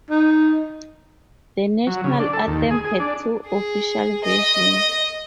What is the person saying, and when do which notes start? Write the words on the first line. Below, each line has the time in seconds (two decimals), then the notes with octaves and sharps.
The national anthem had two official versions.
0.10 D#4
1.87 F#3
2.04 C#3
2.20 D4
2.33 A4
2.47 D#2
2.70 G#4
2.85 G#4
3.00 D4
3.47 G#4
4.24 D#5